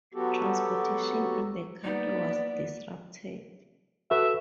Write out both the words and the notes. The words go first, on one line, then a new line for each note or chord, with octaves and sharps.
Transportation in the country was disrupted.
F#3 B3 F#4 G4 A4
A#3 B3 D#4 D5
F#4 A4 B4 E5